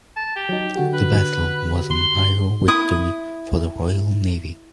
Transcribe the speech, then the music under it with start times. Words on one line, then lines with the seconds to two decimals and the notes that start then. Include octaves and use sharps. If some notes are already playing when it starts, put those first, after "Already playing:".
The battle was a major victory for the Royal Navy.
0.17 A5
0.36 G4
0.49 F#3 D#4
0.76 D3 F#4 G4
0.93 B4
1.90 C6
2.68 E4 D#6